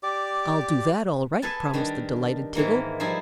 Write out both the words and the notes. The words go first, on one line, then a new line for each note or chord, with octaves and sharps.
"I'll do that, all right," promised the delighted Tiggle.
G4 D5 D6
G#4 A4 B4 G#5 A5
D#3 G3 D4
G#2 D#3 E3 A#3
F3 G3 D#4 E4